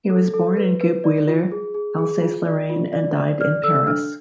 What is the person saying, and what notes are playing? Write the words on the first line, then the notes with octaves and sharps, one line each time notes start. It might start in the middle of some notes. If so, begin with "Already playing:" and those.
He was born in Guebwiller, Alsace-Lorraine, and died in Paris.
A4
A4
B4
B4
D5
F4
G#4
G#4
G#4
F4
D5
F4
D5
D5
D5 F6
A4 E6
D4 F6